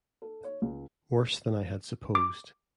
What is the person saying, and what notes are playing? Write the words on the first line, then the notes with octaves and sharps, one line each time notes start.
Worse than I had supposed.
A4
C#5
C#2
D6